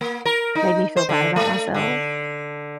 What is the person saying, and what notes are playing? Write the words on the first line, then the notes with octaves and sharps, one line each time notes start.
made me feel bad about myself,
A#3
A#4
D#4
C5
D3
A3
D3